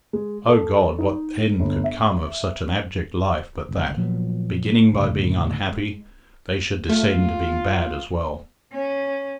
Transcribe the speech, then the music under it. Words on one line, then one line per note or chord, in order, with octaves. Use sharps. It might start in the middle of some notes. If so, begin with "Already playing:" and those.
Oh, God, what end could come of such an abject life but that, beginning by being unhappy, they should descend to being bad as well?
G#3
A4
D#4
G1
E5
G1 C#2
A#2 F3 F#3 B3
C#2 A2 D3
G#3
A3 F4
C#4